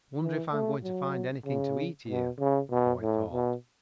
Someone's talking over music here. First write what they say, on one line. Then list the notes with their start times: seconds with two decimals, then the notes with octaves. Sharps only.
"Wonder if I'm going to find anything to eat here," the boy thought.
0.21 E3
0.52 A3
0.83 F#3
1.45 C#3
2.08 B2
2.39 C#3
2.71 B2
3.01 A2
3.33 B2